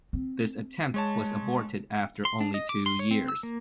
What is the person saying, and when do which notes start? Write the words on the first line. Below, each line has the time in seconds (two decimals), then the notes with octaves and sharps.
This attempt was aborted after only two years.
0.13 C4
0.94 G#3 C#5 A5
2.25 C6
2.41 D4
2.54 D#5
2.69 D6
2.86 C6
2.99 C#5
3.11 C4
3.28 E6
3.43 A#3